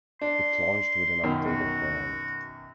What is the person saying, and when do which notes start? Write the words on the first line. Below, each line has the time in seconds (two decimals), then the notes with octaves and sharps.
It launched with an updated brand.
0.21 D4 C6
1.23 F#2 B2 D#3
1.45 F#4